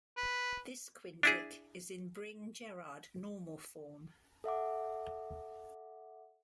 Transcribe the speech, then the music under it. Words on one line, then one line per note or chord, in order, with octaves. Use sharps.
This quintic is in Bring-Jerrard normal form.
B4
D4 E4 G#4
A4 E5 F#5 D6